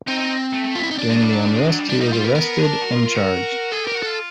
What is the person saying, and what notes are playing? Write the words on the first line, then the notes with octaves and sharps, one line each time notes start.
During the unrest he was arrested and charged.
C4 D#4
D#4
A3
A3
F4
E4
D#4
D4
G#3
F#3
G3
F#3
G3
G#3
F#3
G3
G3 D4
G3 D#4
G3 F4
B3 A#4
B3 A#4
D4
F#4
F4
F4
F#4
G#4 A4
G4 A#4
F#4
F4 A4